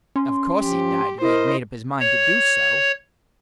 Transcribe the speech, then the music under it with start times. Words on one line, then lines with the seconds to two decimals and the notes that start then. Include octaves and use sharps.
"Of course he died, if he had made up his mind to do so."
0.16 C#4 C6
0.61 F3 G4
1.21 E4 A#4 C5 D#5
2.00 C#5